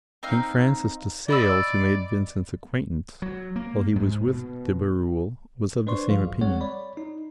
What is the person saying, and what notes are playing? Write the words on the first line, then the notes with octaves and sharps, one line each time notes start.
St. Francis de Sales, who made Vincent's acquaintance while he was with de Berulle, was of the same opinion.
C4 D#4 F5
D5 D#5 B5 E6
F#3
A#3
G#2
B2
D4 B4 C5 D5 C6 C#6
G2 F3 G3 G#4 F5
A#1
G3 G#3 C4 G#4 C#5 F#5
C#5 D5 B5
D#4